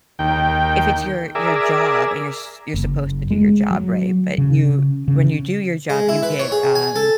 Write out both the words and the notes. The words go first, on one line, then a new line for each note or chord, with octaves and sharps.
if it's your your job, and you're s you're supposed to do your job, right? But, you when you do your job, you get, um,
D#2 G5
G#4 A#4 D5 E5
F#1
G#3
F#3
C#3
C#3
G#3
E4
B4
C#5
G#4
G#5
A4